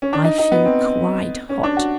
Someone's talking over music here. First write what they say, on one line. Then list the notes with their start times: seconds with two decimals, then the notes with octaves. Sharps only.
I feel quite hot.
0.02 C#4
0.13 D4
0.24 D#4
0.38 D#4
0.52 B3
0.65 C4
1.49 C#4
1.63 D4
1.77 F#4